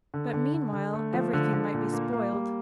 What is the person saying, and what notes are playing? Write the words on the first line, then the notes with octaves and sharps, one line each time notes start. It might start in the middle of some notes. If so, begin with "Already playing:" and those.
But meanwhile everything might be spoiled.
D3
D3
D3
D3
A3
F3
D3
D3
A#2
A#3
A#3
G3